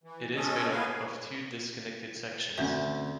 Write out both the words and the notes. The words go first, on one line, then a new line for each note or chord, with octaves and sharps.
It is made up of two disconnected sections.
E3
G#3 C#4 A4 D#5
A#3 B3 B4 F5 G#5
D2 C4 C#4 E5